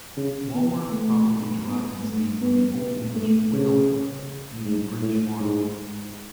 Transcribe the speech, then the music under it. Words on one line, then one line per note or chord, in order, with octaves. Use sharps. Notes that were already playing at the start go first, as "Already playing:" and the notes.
Walworth probably derives its name from the Old English "Wealhworth" meaning British farm.
C#3
B3
A3
B3
A3
B3
A3
C#3
G#2
A2
G#2